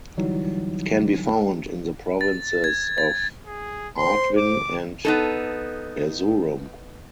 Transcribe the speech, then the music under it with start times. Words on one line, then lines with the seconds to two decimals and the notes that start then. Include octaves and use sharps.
It can be found in the provinces of Artvin and Erzurum.
0.17 D3 E3 F#3 G3 D#4 E4
2.21 A6
2.64 G#6
2.98 A6
3.47 G#4
3.98 C5 C6
4.38 D6
5.05 B3 D#4 A4